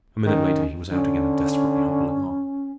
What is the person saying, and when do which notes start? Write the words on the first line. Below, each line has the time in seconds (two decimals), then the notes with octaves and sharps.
A minute later he was out again and desperately hobbling on.
0.26 D#3 C#4
0.91 D3 C#4